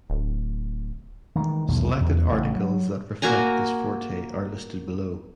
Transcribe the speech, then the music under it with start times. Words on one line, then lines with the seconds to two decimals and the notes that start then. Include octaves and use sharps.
Selected articles that reflect this forte are listed below.
0.10 D1
1.36 D#3 E3 F#3 G#3
1.68 B1 E2 D#3 G3
2.01 E2
2.30 A1 C#3
2.56 F#3
3.22 A#3 F#4 G#5 A#5